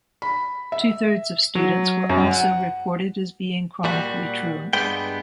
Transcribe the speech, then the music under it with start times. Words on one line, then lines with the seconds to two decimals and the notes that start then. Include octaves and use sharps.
Two thirds of students were also reported as being chronically truant.
0.22 B5
0.72 E5
1.55 F#3
2.09 F#2
2.31 F#5
3.84 A#2 G3 F#4
4.73 G2 G3 G#3 B3 G5